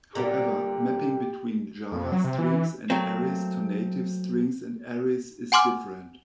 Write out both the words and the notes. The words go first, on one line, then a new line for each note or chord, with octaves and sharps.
However, mapping between Java Strings and arrays to native strings and arrays is different.
A#2 D3 G3 G4
F2
F#3
C3
E3
E3
F#3 A3 A#3 C4
F#5 G#5 C6 D6 F6